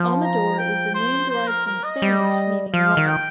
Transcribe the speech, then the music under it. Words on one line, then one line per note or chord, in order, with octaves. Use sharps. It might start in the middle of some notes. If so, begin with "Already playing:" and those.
Amador is a name derived from Spanish meaning "lover".
Already playing: F3
A#5
G5
C5
C5
A#4
A#4
D#5
G3
F3 F5
D#3
G5